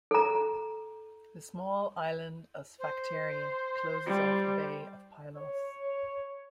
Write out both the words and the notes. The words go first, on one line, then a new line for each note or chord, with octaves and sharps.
The small island Sphacteria closes off the bay of Pylos.
A4 A#5
C5
G3
C#5